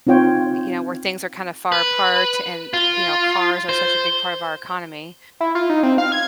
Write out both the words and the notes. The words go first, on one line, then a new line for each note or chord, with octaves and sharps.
you know, where things are kind of far apart and, th you know, cars are such a big part of our economy.
C4 D#4 F4 C#5 G5
B4
F4
C5
E4
F4
D#4
C4
F5
G#6